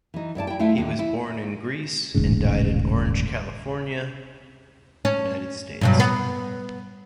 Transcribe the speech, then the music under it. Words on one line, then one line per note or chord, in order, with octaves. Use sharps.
He was born in Greece and died in Orange, California, United States.
E3 D#4
G2 E4 D5 A5
E4 G5
A3 E4 F4 F5
D#2 D3
E4
D#1 A1 G#2 C#3
C#4
G2 B2 F#3
B3